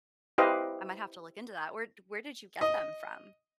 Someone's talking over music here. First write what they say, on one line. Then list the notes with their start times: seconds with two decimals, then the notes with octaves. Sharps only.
I might have to look into that. Where di where did you get them from?
0.38 E4 G4 B4 C5 D#5 F5
2.61 D#5